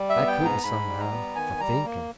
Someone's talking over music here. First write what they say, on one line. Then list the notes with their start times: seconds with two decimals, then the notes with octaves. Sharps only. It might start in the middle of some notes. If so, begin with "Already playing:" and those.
I couldn't, somehow, for thinking.
Already playing: G3
0.09 E5
0.15 B3
0.27 G5
0.40 G#2
0.45 A#5
0.63 G#2 B5
0.88 G3
1.00 A#5
1.11 B3
1.35 D#3 G#5
1.60 G3 A#5
1.85 A#3